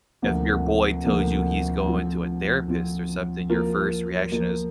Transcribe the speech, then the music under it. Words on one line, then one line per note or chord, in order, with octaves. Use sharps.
if your boy tells you he's going to a therapist, or something, your first reaction is,
D2 C3 F3 A#3
D2 C3 F3 A#3
F3 C4 F4
F3 C4 F4
F3 A#3 F4 A#4
F3 A#3 F4 A#4